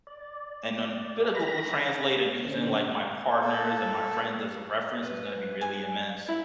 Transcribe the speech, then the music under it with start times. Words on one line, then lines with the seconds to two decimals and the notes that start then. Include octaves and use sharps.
and then a bit of Google Translate and using, like, my partners and my friends as a reference is gonna be really immense.
0.07 D5
1.35 A#5 B5 A#6
2.45 D3 C4 C#4
3.42 A#3 A4
5.02 B4
5.61 G#5
6.28 E4 E5 B5